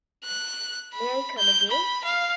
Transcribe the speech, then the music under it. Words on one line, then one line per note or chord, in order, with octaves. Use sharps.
May I come again?
F#6
B5
G6
B5
F5